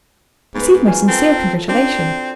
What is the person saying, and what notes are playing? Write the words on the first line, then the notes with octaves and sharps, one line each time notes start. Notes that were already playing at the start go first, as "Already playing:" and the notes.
"Receive my sincere congratulation."
G#2 B3 B4
F4 F#4 G#5
C4 A4 A#4
C4 D4